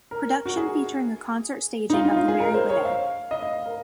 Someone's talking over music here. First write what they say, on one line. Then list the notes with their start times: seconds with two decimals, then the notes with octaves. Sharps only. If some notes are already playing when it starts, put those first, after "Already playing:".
Production featuring a concert staging of The Merry Widow.
0.11 A#4
0.46 F#4
0.57 G#4
1.90 D#4
1.93 F4
2.05 D#4
2.17 F4
2.28 G#4
2.40 A#4
2.54 C5
2.70 C#5
2.85 F5
3.31 D#5
3.42 F5
3.66 A#4